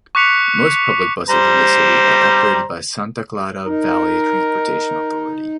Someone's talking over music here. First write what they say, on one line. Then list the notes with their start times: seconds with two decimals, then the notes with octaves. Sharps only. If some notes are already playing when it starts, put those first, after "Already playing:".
Most public buses in the city are operated by Santa Clara Valley Transportation Authority.
0.15 C#6 D6 F#6 B6 C#7 F7
1.29 G3 C5 A#5
3.67 D#4 A#4